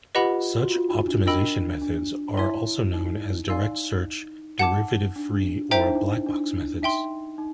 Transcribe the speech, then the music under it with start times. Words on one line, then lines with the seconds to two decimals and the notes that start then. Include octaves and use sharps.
Such optimization methods are also known as direct-search, derivative-free, or black-box methods.
0.15 F4 G4 B4 D#5 F#5 B5
0.61 F#4
0.70 F4
0.89 D#4
1.08 D4
1.26 D4 A#4 D#5 G5 B5 E6
1.82 D4
2.37 E4 C#5 E5 G#5 C6
2.94 D#4
3.48 D#4 D5 F5 G#5 C6 E6
4.59 F#5 A5 D6
5.16 D4
5.34 D4
5.71 E4 C5 E5 G5 A#5
5.79 D#4
5.87 D4
5.95 D#4
6.26 D4
6.82 D#4 E5 G5 C6
7.38 D#4